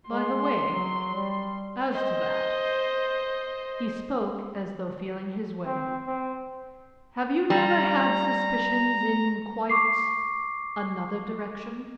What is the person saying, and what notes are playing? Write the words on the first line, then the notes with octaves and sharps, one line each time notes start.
"By-the-way, as to that"--he spoke as though feeling his way--"have you never had suspicions in quite another direction?"
G#3 C6
F#3
G3
C5 D#5
C4
C4
G3 A#5
C#6 D6 C7